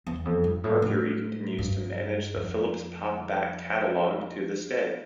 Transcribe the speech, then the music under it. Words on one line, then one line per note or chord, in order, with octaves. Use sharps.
Mercury continues to manage the Philips pop back catalogue to this day.
E2
F2
G2
A2
A2
G2
F2